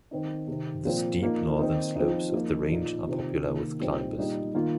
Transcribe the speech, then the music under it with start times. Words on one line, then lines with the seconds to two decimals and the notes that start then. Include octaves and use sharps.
The steep northern slopes of the range are popular with climbers.
0.11 D#3 C4 D#4
0.48 C3 D#3 C4
0.85 A#2 F3 C4 F4
1.22 F3 A#3 D#4
1.59 D#3 C4 D#4
1.96 F3 C4 D#4
2.32 F3 A#3 D#4
2.70 A#2 F3 D#4
3.07 C3 D#3 C4 F4
3.44 C3 D#3 A#3
3.80 A#2 G3 C4 D#4
4.17 A#2 G3 D#4
4.54 D#3 A#3 F4